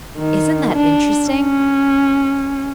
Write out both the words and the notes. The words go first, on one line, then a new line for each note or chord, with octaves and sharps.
Isn't that interesting?
D#3
D4
C#4